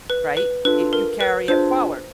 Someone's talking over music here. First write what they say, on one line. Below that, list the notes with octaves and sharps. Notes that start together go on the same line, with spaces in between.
right, i you carry it forward,
B4
B4
D4 F4 A4 B4
A#4
B4
D4 F4 G#4 C5